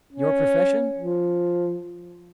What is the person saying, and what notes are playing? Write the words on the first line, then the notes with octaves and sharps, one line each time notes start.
"Your profession?"
C#4
F3